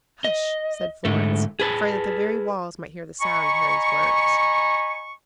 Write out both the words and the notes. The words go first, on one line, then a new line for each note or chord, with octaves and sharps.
"Hush!" said Florence, afraid that the very walls might hear the sound of Harry's words.
D#5
G#2 D3 A3
G#4 B4 A5
D#5 G#5 A#5 B5 C#6